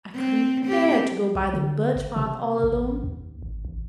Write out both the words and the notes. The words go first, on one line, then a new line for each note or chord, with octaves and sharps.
I couldn't bear to go by the Birch Path all alone.
C4
C4 G4
B1
D3
G1
C3
A1
D#2
G#1
A1